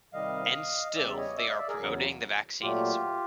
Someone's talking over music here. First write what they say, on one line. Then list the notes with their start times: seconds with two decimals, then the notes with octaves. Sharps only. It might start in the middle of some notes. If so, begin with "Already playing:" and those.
And still they are promoting the vaccines.
0.13 C3 D#3 G3 D#5 F5
0.96 E2 C#3 E3 G3 D5 E5
1.17 C#5 D#5
1.37 D5 E5
1.47 D#5 F5
1.58 D5 E5
1.68 G#4 A#4
1.79 E2 C#3 F#3
2.62 A#2 F#3 A3 F4 G4